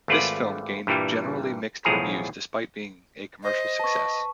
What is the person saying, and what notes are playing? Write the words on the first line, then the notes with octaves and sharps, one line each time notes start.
This film gained generally mixed reviews despite being a commercial success.
G#1 A3 F4 B4 D5
G2 A#2 E3 G3
B1 E2 A2 F3 G#4 A#5
C5 D#5
B4 A5 C#6